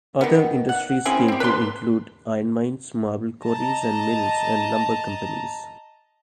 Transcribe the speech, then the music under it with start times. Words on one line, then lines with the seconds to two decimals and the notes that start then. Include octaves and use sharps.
Other industries came to include iron mines, marble quarries and mills, and lumber companies.
0.21 D#3 B3
0.69 F#5
1.05 C4 C#4 E4 G#4
1.28 C4 G4
1.40 B4 C6
3.45 D#5 A5 A#5